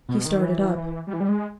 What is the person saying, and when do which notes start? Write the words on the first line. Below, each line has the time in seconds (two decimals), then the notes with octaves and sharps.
He started up.
0.09 B2
0.26 D#3
0.42 E3
1.07 G3
1.13 E3
1.20 G3
1.29 G#3